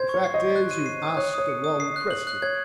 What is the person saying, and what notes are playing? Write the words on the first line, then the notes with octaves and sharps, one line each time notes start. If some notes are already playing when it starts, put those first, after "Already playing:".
The fact is you've asked the wrong question.
Already playing: C5 G#6
C#5 C#6
C7
D#5
C#6
F#6
D#7
C7
D#6
C#5 F#6
C#5 D#6
C#7
D#6
C7
F#6
F#7
F#6
C#5 G#6